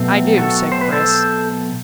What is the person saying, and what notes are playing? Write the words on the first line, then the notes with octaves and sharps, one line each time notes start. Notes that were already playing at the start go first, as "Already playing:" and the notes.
"I do," said Chris.
Already playing: B2 F#3 A3 C4
F#4 A4
C5
B4
A4 C5